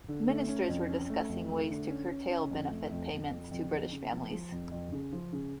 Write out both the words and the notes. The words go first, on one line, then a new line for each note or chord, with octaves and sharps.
Ministers were discussing ways to curtail benefit payments to British families.
D3
A3
C#4
F2
C#4
A3
F2
A3
D3
C#4
C#4
C#4
F2
A3
F2
F2
F2
F2
F2
C#3
F3
F3
F2
F2
C#3
F3
C#3